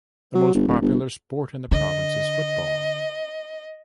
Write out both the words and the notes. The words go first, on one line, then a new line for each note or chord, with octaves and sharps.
The most popular sport in the province is football.
F#3
G1
D#1
G1
D3 D#5